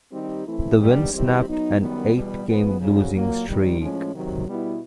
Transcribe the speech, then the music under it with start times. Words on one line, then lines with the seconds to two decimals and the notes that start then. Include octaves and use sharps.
The win snapped an eight-game losing streak.
0.12 D#3 G3 C4 D#4 G4
0.46 E3 A3 C4 E4
0.78 D#3 G3 B3 D4 G4
1.12 D#3 G3 C4 E4 G4
1.46 F#3 B3 D#4
1.79 F#2 D#3 G3 B3
2.12 E2 B2 G3 B3
2.46 F3 G#3 B3
2.80 F2 C#3 F#3
3.13 A#2 F#3 A#3
3.46 F#2 D#3 G3 C4
3.79 A2 F3 G#3 C#4
4.13 C3 D#3 F#3
4.46 B2 G3 B3 E4